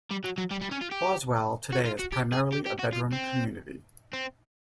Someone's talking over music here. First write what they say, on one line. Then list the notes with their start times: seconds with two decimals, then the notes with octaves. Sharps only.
Boswell today is primarily a bedroom community.
0.11 G3
0.24 F#3
0.38 F#3
0.51 G3
0.61 G3
0.71 C#4
0.81 F4
0.91 G4
1.72 F#4
1.85 F4
1.99 F#4
2.12 G4
2.32 G#4
2.52 G4
2.66 G4
2.79 F#4
2.93 F4
3.13 C4
4.13 C4